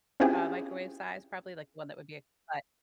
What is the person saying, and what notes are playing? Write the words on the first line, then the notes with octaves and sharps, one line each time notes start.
uh, microwave size, probably, like, the one that would be a cut
C4 C#4 E4 F4 G4 G#4